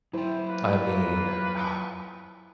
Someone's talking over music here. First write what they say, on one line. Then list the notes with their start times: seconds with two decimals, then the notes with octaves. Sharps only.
I mean, uh
0.13 F#3 E4 C5 G5
0.49 A#3 F4 B4